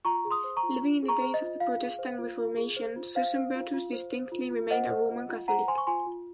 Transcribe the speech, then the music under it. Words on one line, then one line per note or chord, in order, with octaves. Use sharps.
Living in the days of the Protestant Reformation, Susenbrotus distinctly remained a Roman Catholic.
F4 A#5 C#6
G#4
C6 D#6
C5
A#5 C#6
F4
F4
G#4
A#5 C#6
C5
D#5
F4
F4 F5
G#4
C5
F4
F4
G#4
C5
F4
C5 F5
C5
F4
F4
C5
C5
F4
F4
C5 D#5 F#5
C5
F4
F4
C5 F#5 A#5
C5 G#5 C6
C#6
F4 G#5 C6
F4